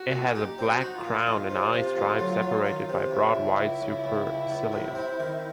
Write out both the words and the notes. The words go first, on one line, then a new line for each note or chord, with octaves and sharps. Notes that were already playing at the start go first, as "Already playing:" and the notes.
It has a black crown and eye stripes separated by a broad white supercilium.
Already playing: F#4
A#2
D#4 G4
C4
F#4
D#4
F4
A#2
D#3
C3
C3
D2
F#3
F#3
D#3
C3
C#2 E4
C#2
C#2
C#2
C#2
C#2
C#2
C3
C4
D#3